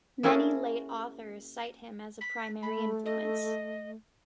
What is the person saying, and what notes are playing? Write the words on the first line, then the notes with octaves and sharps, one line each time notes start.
Many later authors cite him as a primary influence.
A#3 C#4 E4 F#4 G#4 A4
B6
A3 B5
D#5